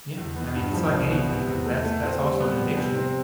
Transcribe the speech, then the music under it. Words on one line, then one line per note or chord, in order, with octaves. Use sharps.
Yeah, I mean, it's like anything, that's that's also an addiction.
E2
B3
G2
F3
C2
B3
C3
E2
A3
A3
C4
G3
B3
F3
C3
C4